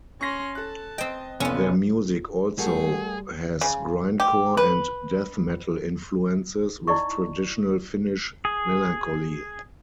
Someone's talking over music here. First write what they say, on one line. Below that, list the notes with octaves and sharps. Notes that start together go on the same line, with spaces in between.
Their music also has grindcore and death metal influences with traditional Finnish melancholy.
C#4 C6 C#6 A#6
A4 A5 F#6
C4 D#5 G5
F1 B3 C#4 F4 G#5 E6 C#7
G3 A3 G4 G#4 A#4 F#5
C#3
G4
B4
D#4 E4 D5 D#5 C#6
G#4